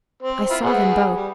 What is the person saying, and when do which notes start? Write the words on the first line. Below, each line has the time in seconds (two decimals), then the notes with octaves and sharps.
I saw them both.
0.23 C4
0.50 E4 F4
0.64 G#4 B4 F#5
1.16 G3